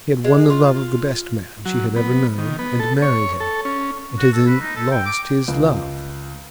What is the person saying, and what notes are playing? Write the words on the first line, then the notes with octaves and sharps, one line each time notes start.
She had won the love of the best man she had ever known, and married him, and had then lost his love!
G#3
F4
F#3
B3
D#3
B3
A4
C#5
A4
C#4
F#4
A4
B4
D#4
A4
G5
D6
C#2